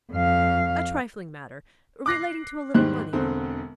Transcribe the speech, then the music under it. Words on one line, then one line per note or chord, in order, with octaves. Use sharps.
A trifling matter, relating to a little money.
F2 F5
D6 F#6 A#6 C7
E2 G#2 D#3 G3 C5 F#6
E1 D3 C4